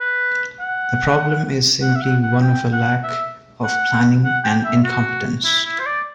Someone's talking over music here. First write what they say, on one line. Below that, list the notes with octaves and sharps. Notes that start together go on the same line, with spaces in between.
The problem is simply one of a lack of planning and incompetence.
B4
F#5
F#5
E5
F#5
F#5
G5
F#5
E5
F#5
F#5
G5
E5
F#4
E4
E4
C5
D5